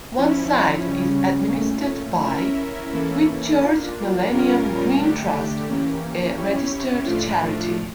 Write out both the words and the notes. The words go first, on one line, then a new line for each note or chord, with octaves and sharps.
One site is administered by Whitchurch Millennium Green Trust, a registered charity.
F3 C#4 E4
C#3 G3 C#4
A#2 A3 C#4
C#4 E4 A#4 E5
E3 A#3 C#4 E4 A4
A#3 D4 F4
A#2 G3 C#4 F4 A#4
D3 A3 D4 G4
E3 A#3 C#4 G4
C#4 E4 G4 C#5
A2 F3 A3 D4 F4